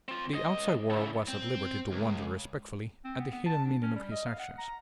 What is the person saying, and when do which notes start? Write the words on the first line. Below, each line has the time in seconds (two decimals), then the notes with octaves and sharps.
The outside world was at liberty to wonder respectfully at the hidden meaning of his actions.
0.08 C4 F4
0.33 C#2 D#5
0.90 C#3 E4
1.28 C4
1.91 C#2
3.05 C4
3.19 B3
3.32 B3
3.46 A5
3.65 D4
3.83 C#4
3.96 G3
4.12 D#5
4.27 F5
4.39 F#5
4.58 A#5